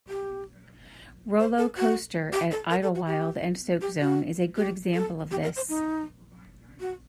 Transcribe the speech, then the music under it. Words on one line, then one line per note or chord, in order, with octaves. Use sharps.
Rollo Coaster at Idlewild and Soakzone is a good example of this.
G4
C5
A4
F#4
G4
A4
A#4
A4
F#4
G4
G4
F#4
G4
A4
G4
A#4
C5
D#4
F#4